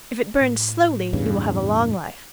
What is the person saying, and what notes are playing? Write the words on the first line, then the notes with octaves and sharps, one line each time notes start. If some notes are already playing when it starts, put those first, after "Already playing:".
If it burns slowly you will have a long life.
A2
E2 G2 C#3